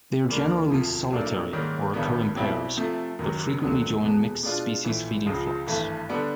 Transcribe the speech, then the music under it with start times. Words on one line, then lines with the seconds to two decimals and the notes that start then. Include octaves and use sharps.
They are generally solitary or occur in pairs, but frequently join mixed-species feeding flocks.
0.28 D2 D3 G3 A#3 D4
0.69 E1 D2 C3 F3
1.11 B1 A2 F#3 A#3 D4
1.52 G#2 D#3 G3 A#3 C#4
1.94 A1 G2 D#3 G3 B3
2.36 B1 B2 G3 C4 E4
2.77 C3 F3 A3
3.19 F#1 F#2 D#3 F#3
3.60 F1 D#2 D3 F#3 B3
4.02 F1 E2 B2 G#3 B3
4.43 B2 G#3 B3 D4 F4
4.84 A#1 A2 E3
5.26 C#2 C#3 F3 G#3
5.67 G#1 G2 E3 A3
6.09 D3 G3 B3 D4